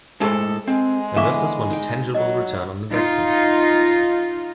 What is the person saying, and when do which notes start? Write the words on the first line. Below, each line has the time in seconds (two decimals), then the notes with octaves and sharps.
Investors want a tangible return on investment.
0.20 A2 G#3 D4 G#4 A4 C5 A5
0.68 G#3 C4
1.16 D3 E3 B3 E5 F5 C#6 D6
1.70 D#4 G5
2.15 F#3 D#5
2.91 D#4 F4